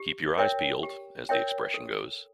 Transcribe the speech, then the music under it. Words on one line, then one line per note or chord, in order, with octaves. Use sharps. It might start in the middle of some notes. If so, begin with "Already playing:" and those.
"Keep your eyes peeled", as the expression goes.
Already playing: G4
A#4 C#5 E5 G5
G4
A#4 C#5 E5 G5
A4